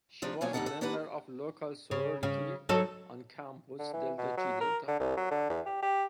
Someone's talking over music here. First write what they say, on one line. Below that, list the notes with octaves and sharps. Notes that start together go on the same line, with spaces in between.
She was a member of a local sorority on campus, Delta Chi Delta.
D2 F3 D4 D#4
B2 F#3 A#3 C#4 D4 G#5
D#2 D3 G3 D#4 F#5 A5
A4 F#5
A#3 D4 G4 B4 F#5
C#3
C#3
F#3 D#4 A4
D3
E3
B2
F#3
A#4
D3
C2
F#3
D3
E2
G4
G4